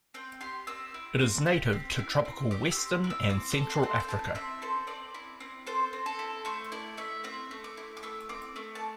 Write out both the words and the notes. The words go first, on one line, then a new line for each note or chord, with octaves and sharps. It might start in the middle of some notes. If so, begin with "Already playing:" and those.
It is native to tropical western and central Africa.
C4 G5
G4 C6
C4 E6
E4
C4
G4
C4
E4
C4
G4 D6
E6
C4
E4
E6
C4 D6
A4
C6
C4
G5
E4 A5
C4 E5
A4 C5
C4 D5
E4
C4
A4 C5
C4
A4
E4
A3 C5
E4 D5
A3 E5
C4 E5
A3
D6
E4
D6
A3 E6
C4 D6
A3 D6
A5